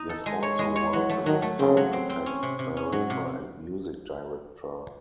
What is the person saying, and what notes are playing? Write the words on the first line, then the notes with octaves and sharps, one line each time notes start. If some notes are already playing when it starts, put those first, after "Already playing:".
He has also worked as a sound effects director and music director.
Already playing: D#4
A4
G#3
C#5
G#3
C#5
E3 F#3
A3
D#3 F#3
A3
C#3 C4
F#3
C4
C4
C#4
C3
C3
C#4
G#2 F#3
C3